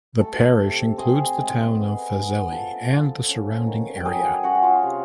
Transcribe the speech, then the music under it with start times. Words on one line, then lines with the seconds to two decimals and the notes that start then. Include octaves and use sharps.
The parish includes the town of Fazeley and the surrounding area.
0.21 A3 A4 A5
0.59 C3
0.98 C4 G#4 G#5
1.37 G#3
1.75 B3
2.13 B3
2.52 F3 A4 A5
2.90 F3
3.29 C#4
3.66 D#3
3.97 G5
4.05 F#3 G#4 G#5
4.43 C#4 F#4 F#5
4.55 E5
4.62 F4 F5
4.83 C3